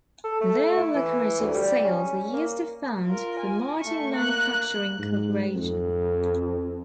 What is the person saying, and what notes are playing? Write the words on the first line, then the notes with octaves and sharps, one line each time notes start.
Their lucrative sales were used to found the Martin Manufacturing Corporation.
A4
A3
E4
E3
D2
G3
C#4
A#3
F4 A#4
G#5
A3 C#6
A#3 F#6
G#2
F2